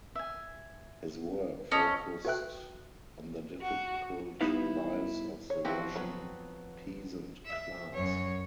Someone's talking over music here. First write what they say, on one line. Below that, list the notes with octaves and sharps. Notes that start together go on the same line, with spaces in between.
His work focused on the difficult lives of the Russian peasant class.
E5 G#5
C#4 A4 D#5
F#4 A4 B4 E5 G5 F#6
F#4
G3 B3 D#4 E4 B4 F5
C#5
F3 C4 E4 F#4 G4
F#3 B3
E5
F#2 C#5